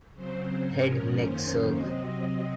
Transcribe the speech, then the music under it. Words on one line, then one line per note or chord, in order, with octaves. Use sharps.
Head Neck Surg.
C#3 F#3 C4 C5
G#2 F3 G#3 C#4 A#4
F#2 D#3 A#3 C#4 C5
C3 F#3 C4 D#5